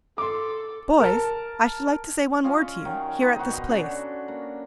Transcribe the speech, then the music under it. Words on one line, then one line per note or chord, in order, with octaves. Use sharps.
"Boys, I should like to say one word to you, here at this place."
A4 C6 D6
A#4 A5
C#4 F4 D#5 F5
D#3 F#3
D#4 C5
B2 F#4
C#4 D4 F#4 A4
A#3